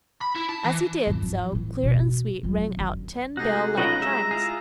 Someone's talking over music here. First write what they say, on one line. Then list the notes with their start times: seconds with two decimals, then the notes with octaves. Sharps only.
As he did so, clear and sweet, rang out ten bell-like chimes.
0.21 B5
0.36 E4
0.49 A5
0.65 E3
1.07 G#1 E2
1.22 F3
1.52 A2 E3
1.83 B2 C#4
2.43 F2 F#3
2.77 F#2 D3
3.37 C3 A3 D#4 F#4 G#4
3.78 B1 C#4 F4 F#4 B4 D#5 A#5
4.00 G#3 G4 E5
4.31 E4 F4 G#4